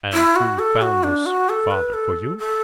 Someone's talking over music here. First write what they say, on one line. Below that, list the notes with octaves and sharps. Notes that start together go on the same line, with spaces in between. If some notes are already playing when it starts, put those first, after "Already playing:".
"And who found this father for you?"
E4
F#4
A4
F#4
D4
F#4
A4
B4
A4
A4